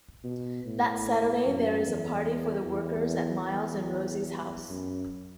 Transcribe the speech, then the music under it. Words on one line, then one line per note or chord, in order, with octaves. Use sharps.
That Saturday, there is a party for the workers at Miles and Rosie's house.
B2
A2
F#2
E2
E2
E2
F#2